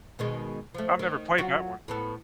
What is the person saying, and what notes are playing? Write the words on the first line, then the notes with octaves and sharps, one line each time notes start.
I've never played that one.
B2 D#3 G#3
F3 A3
D#3
F#3 F4 F#4
A2 B3 A4